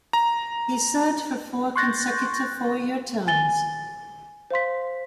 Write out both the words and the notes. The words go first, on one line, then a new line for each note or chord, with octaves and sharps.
He served for four consecutive four-year terms.
A#5
C6 C#6 F#6 G6 A6 A#6
G#5 A6 G7
C5 F5 C6 B6